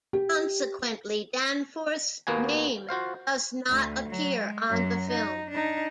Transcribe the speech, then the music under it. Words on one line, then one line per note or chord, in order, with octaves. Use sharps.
Consequently, Danforth's name does not appear on the film.
G4
D#2 A#3 B3 F#4 G#5
F4 F#4 C5 F5
D2
F#3
G#3
F#2 F#3
D#4
D4 D#4